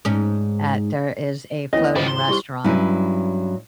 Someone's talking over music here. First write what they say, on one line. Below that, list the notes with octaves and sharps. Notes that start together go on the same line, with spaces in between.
at there is a floating restaurant
G#2 C#4
D2 E3 B3 C#4 E4 C#5 D#5
G#1 G3 F4 G#4 C5
C6
G3 D#4 E4 G4 C5
G2 F#3 C#4 E4